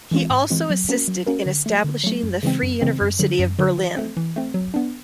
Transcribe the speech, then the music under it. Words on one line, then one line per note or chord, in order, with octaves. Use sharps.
He also assisted in establishing the Free University of Berlin.
E3 G#3 C4 F4
G#2
E3 G#3 C4 F4
F#3
A#3 C#4 F#4 A#4
F#3
A#3 C#4 F#4 A#4
D3
F#3 A3
D3
F#3 A3
F#2
C#3 E3 G#3 C4
F#2
C#3 E3 G#3 C4
F#2
D3 F#3
F#2
D3 F#3
E3
A3 C4
E3
A3 C4
F#3
B3 D4